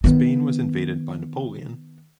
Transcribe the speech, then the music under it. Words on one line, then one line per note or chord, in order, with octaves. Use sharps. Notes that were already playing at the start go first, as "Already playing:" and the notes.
Spain was invaded by Napoleon.
D#3 B3